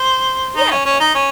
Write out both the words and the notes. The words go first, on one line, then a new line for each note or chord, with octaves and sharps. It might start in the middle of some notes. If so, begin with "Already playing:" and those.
Yeah, of course.
Already playing: C5
D#4
C#4
C#4
D#4
C#4